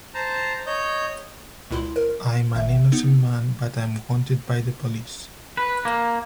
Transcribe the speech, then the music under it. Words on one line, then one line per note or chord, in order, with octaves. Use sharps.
I’m an innocent man, but I’m wanted by the police.
C5 A5 A#5
C#5 D#5 G6
C#2 A#2 E4 C6
A#4
G#1 E5
B3 D#4
B4
A#3